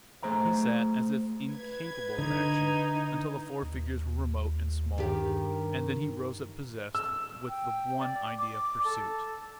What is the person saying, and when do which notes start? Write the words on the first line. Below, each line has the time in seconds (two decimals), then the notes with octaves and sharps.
He sat as if incapable of action until the four figures were remote and small, and then he rose up possessed with the one idea of pursuit.
0.23 A3 G#4 C5 A#5
1.49 B4 G#6
2.18 D3 D#4
3.62 D#2
4.98 G2 D#3 G4
6.95 E6
7.48 G5
8.00 D5
8.38 D6
8.84 A4